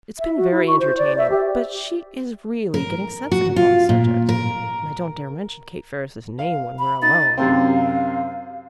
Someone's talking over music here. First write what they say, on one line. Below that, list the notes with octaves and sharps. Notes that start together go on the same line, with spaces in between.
"It's been very entertaining, but she is really getting sensitive on the subject, and I don't dare mention Kate Ferris's name when we're alone."
E5
F#4
E4
C#6
C5
D5
E5
G4
A#4
F#4
F4
A#2
A#4
F5
B5
D#4 A6
F#2 C3 C4 F5